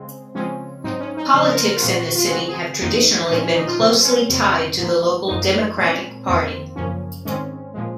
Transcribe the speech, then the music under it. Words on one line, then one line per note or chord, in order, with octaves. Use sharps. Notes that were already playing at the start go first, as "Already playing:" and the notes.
Politics in the city have traditionally been closely tied to the local Democratic Party.
Already playing: C#3 G#3 C4
C#3 F3 G#3 C4 C#4
G#2 F#3 C4 D#4
C#4
D#4
C#3 F3 C4 C5
A#4
A#4
F4
A#2 F3 C4 F#4
F#4
F4
G#4
C#3 G#3 C4 F#4
G#4
F2 C3 D#3 A#3 D#4
D#4
A#2 F3 G#3 C4 C#4
C#4
D#4
F4
C3 F#3 A#3 C4
C#4
F2 C#3 F#3 C4
G#2 F3 A#3
F#2 F3 A#3 D#4
A#2 G#3 C4 C#4
F2 D#3 A#3 C4
F#2 C#3 F3 A#3 C#4
G#2 D#3 G#3 C4 C#4
A#2 F3 G#3